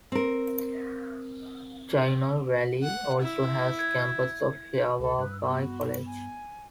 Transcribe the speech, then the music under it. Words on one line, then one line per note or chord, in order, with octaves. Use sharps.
Chino Valley also has a campus of Yavapai College.
C4 A#4
F#5
E4
G#6
C#2 A4
G2 B4
B3 F#4
G#5